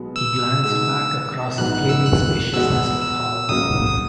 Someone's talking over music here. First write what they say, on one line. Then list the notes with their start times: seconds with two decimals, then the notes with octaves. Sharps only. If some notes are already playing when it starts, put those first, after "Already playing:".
He glanced back across a flaming spaciousness of hall.
Already playing: B1 B2 G#3 B3 F#4
0.16 E6
0.62 B2 G#3 D#4 E6
1.58 A#1 G#2 F#3 B3 F#6
1.74 F#6
1.89 E6
2.06 F#6
2.54 E2 B2 G#3 B3 F#4 E6
3.01 E6
3.49 C#2 C#3 F#3 A#3 D#6
3.87 D#6